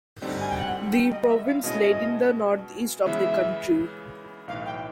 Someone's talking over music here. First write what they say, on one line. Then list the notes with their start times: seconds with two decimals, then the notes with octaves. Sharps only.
The province laid in the northeast of the country.
0.21 D2 D3 G3 C4 D#4
0.40 G#5
0.49 G5
0.57 F#5
0.92 G5
1.11 D#5
1.23 D#5
1.29 E5
1.46 F5
1.63 B2 G#3 C#4 E4 D#5
3.06 C#3 E3 G#3 B3 E4 E5
4.48 B1 A2 E3 F5
4.65 G5